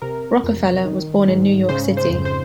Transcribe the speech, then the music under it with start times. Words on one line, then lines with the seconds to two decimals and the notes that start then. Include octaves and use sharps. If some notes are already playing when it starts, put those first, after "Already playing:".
Rockefeller was born in New York City.
0.02 C3 A#4
0.44 F2
0.85 D#3
1.28 G#2
1.69 C#3 C5
1.97 C5
2.10 F2
2.25 C5